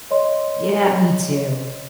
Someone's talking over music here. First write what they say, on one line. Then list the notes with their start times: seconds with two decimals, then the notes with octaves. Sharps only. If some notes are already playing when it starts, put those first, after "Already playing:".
Yeah, me too.
0.11 C#5 D#5 C6